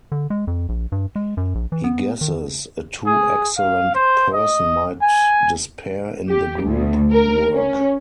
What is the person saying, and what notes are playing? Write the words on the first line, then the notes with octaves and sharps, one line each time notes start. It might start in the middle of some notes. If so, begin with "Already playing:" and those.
He guesses, "A too excellent person might despair in the group work".
D3
G#3
F2
A#1
G2
G#3
F#2
A#1
E3
B3
D#3
G#4
F5
C5
D#5
G#5
G4
D2
A#4
C#4